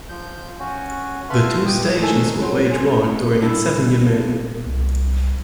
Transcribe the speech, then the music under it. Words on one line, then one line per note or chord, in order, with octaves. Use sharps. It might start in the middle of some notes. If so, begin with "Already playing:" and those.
The two stations would wage war during its seven-year melee.
F3 G6
C#4 F#4
A4 B4 E5 F5 B5 C6
B2 G4 D6 D#6
D#3 A3 D4 D#4 G#4 A4
F#3 C5
G#4
G3 D4 E4
C2